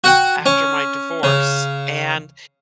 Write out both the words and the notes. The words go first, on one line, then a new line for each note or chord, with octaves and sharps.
after my divorce. And,
F#4 F#5 G5
C#4
C#3